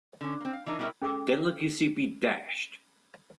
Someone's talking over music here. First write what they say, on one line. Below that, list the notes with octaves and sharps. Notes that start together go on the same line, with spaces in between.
Delicacy be dashed.
D3 C#4
A#3 C4
F5
E3 D4 D#4 A#4
B2 G3 E4 A#4 C#5 E5
C#4 G#4 A4 G5 D6 E6